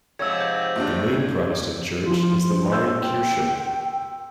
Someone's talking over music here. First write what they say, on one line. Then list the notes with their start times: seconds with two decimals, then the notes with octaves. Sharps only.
The main Protestant church is the Marien Kirche.
0.19 G#2 C3 F3 C#5 E6 G#6
0.40 G6
0.76 A#1 D#2 D4
2.06 F3 F4 C6
2.49 C5
2.72 C6 E6 G6
3.03 G5